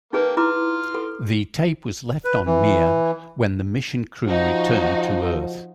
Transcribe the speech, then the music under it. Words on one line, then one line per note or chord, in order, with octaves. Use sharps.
The tape was left on Mir when the mission crew returned to Earth.
A#3 D#4 G#4 B4 G5
E4 A#5 C6 D6 F6
A4
B4
E3
F3 D#4 F#4